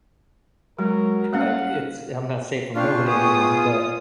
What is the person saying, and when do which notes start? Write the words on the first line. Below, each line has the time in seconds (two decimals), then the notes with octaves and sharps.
like, it's I'm not safe from nobody anymore. But,
0.79 F#3 G#3 A#4
1.33 G3 A#3 C#4 F5 F#5
2.75 D4 F4 G4 F5 C#6
3.06 B3 F4 G#4 D#6